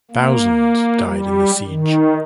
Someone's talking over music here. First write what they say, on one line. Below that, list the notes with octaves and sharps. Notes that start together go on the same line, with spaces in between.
Thousands died in the siege.
A#3
G3
D#3